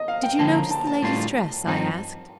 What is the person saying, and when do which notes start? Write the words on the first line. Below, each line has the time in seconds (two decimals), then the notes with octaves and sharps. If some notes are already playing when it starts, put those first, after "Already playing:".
"Did you notice the lady's dress?" I asked.
Already playing: D#5
0.08 F5
0.23 G5
0.39 D3 F3 A#3 A5
0.55 A#5
0.71 A5
0.87 A5
1.03 A2 G3 D4 F4
1.66 G2 F3 C4 D#4